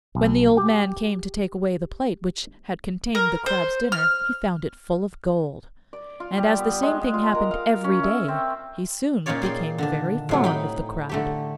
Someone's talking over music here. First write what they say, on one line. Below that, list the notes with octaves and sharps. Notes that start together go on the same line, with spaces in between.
When the old man came to take away the plate which had contained the Crab's dinner, he found it full of gold, and as the same thing happened every day he soon became very fond of the Crab.
B1
G4 G5
A#4
C5
F6
D5
F4
G3
B3
G#3
F4
A#4
F5
C#4
E5
C4
A#2 C#4 D#4 F4 C#5 D5
G#4 D5 G5 C6
D3 D#3 D4
A2 C3 F#3
D#4 G5 B5
D3 A3 G4